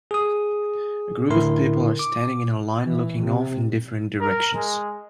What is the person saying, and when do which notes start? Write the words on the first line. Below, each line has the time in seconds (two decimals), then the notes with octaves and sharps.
A group of people are standing in a line looking off in different directions.
0.11 G#4 D#6
1.30 A2 D3 E4 A#4 C6
1.99 D6
2.84 E3
3.21 C3
4.21 A#4
4.55 G#3